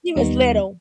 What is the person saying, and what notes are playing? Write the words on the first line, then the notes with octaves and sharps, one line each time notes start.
He was little.
D#2 D#3 G3 B3 D#4